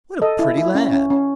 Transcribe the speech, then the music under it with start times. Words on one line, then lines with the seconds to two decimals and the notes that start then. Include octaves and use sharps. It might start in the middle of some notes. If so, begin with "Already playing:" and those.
"What a pretty lad!"
0.22 A4 D#5
0.39 E4
0.58 E4
0.75 C#4
0.92 C#4
1.10 C#4